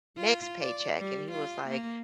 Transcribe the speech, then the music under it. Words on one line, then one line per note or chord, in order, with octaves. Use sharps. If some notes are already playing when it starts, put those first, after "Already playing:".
next paycheck.” And he was like,
F4
D5
G3
F4
A#3